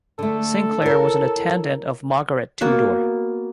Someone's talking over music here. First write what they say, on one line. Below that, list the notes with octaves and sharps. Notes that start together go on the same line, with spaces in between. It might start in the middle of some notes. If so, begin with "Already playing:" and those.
Sinclair was an attendant of Margaret Tudor.
D3 A3 A4
E4 A#4 C#5
A#3 B3 F#4